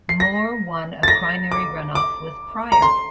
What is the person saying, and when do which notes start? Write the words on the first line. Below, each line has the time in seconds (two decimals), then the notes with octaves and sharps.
Moore won a primary runoff with Preyer.
0.09 C7
0.20 A#6
1.03 A6
1.08 A#6
1.52 D6
1.95 D6
2.72 A#5
2.82 C6